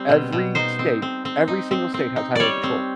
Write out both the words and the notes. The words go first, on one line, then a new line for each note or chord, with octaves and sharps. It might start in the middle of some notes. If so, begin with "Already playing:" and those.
Every state every single state has highway patrol,
Already playing: G3 C4
B2
B2
D#4 C5
C4
C4
C4
D#4
C4
C4
D#4
G3 C#5 D5
C4